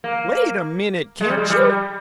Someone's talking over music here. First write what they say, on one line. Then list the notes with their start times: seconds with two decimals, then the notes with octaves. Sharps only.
"Wait a MINUTE, can't you?"
0.04 A#3
1.21 G#3
1.30 G3
1.37 G#3
1.50 G3